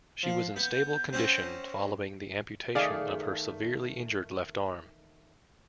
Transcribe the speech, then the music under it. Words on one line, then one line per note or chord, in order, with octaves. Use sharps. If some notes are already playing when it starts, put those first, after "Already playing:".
She was in stable condition following the amputation of her severely injured left arm.
F3 F5
B3 G6
C4 C#4 F#4
D#3 A3 G#4 D5 F5